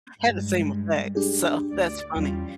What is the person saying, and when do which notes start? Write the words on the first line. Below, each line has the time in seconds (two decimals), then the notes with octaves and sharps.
had the same effect. So, that's funny.
0.19 G2 G3 G#3
1.15 D4 G4 G#4
1.70 D2 D5
2.16 E2 G3 C#4 F4